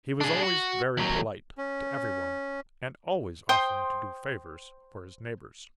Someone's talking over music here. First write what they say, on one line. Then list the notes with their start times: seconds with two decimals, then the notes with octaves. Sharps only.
He was always very polite to every one and always offering to do favors for his neighbors.
0.21 D4 G#4
0.42 F#4
0.97 D#2 F#3
1.58 C#4
3.49 C5 G5 C6 D#6